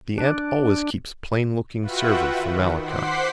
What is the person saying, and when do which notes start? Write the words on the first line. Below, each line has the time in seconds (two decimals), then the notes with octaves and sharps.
The aunt always keeps plainlooking servants for Malachi.
0.18 D4
1.81 F4 F#4 B4 E5 F#5 G5
2.37 D#3
2.80 C5 F#5 C6 D6 B6 C7